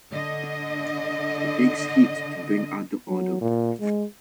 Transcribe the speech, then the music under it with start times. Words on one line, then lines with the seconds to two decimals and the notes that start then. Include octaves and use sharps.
It takes heat to bring out the odor.
0.11 D3 D#5
3.09 F#3
3.41 A#2
3.80 G#3